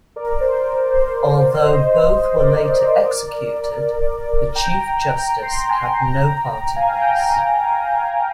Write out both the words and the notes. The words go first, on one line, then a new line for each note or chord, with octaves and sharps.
Although both were later executed, the chief justice had no part in this.
A#4 D5
C5
A#4
C5
C5 D#5
A#4 D5
G5 A#5
C6
A#5
G#5 C6
G5 A#5
F5 G#5
G5 A#5
G5 A#5